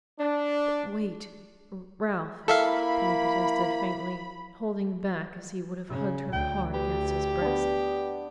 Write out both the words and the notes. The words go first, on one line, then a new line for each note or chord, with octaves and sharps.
"Wait, Ralph!" Penny protested faintly, holding back as he would have hugged her hard against his breast.
D4
A#3 E4 A4 E5 F5 B5
C#3
D2 G5
G4 B4
B3 D4